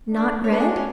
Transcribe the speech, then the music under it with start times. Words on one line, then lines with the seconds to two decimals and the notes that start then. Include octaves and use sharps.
Not red?
0.12 D4
0.44 D4 C#5
0.52 B4
0.60 G#4
0.69 F#4
0.76 C#4